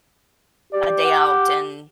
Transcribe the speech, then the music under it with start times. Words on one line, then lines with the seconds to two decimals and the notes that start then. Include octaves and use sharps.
a day out, and
0.73 G4 D5
1.04 F#5